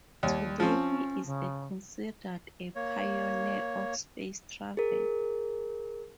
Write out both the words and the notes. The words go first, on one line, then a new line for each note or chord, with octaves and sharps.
Today he is considered a pioneer of space travel.
D#2 G3
F3 C4 C#4
C#3
A#3 C#5
G#4 A#4